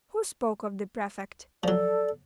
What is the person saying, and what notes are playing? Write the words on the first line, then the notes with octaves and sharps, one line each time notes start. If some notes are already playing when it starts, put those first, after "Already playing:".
'Who spoke of the prefect?
F3 F#3 A4 D5